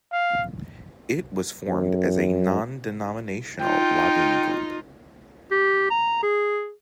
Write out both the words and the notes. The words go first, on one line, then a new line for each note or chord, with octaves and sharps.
It was formed as a non-denominational lobbying group.
F5
F#2
D#4 F4 G5
G4
A#5
G#4